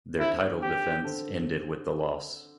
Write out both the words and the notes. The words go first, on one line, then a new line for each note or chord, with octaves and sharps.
Their title defense ended with the loss.
D3 C4 E4 A4 C5
G4
D3 C4 A4 C5